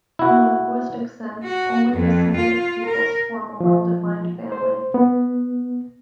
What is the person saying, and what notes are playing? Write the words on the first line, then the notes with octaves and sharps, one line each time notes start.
In a linguistic sense, only the Semitic peoples form a well-defined family.
E4 F#4
F#4
F2
F4
A#4
F3
C5
B3